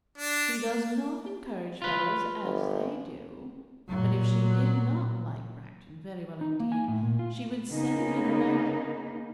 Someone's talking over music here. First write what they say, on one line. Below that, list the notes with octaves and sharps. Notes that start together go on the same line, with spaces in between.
She does not encourage fellows as they do; but if she did not like Bracton very well indeed, she would send him about his business.
D4
F4 B4
G1
A#2 F#3
D#4
A#3
G#5
A2
A#2
F4
C#3 A#3 B3 D#4